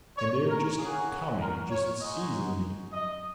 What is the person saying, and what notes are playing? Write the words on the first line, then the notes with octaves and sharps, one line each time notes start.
And they are just coming, just seizing me.
C#5
A#4
A#3 C#4 F#4 G#4
A#4
C#5
G#3 D#4 F#4 D#5
D#5